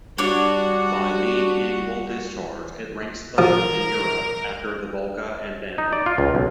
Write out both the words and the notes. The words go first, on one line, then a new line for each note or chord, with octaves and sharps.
By mean annual discharge it ranks third in Europe, after the Volga and Danube.
G3 D4 F#4 C#5 D6
F3 A#4
D#4
D5
F4
C#2
B1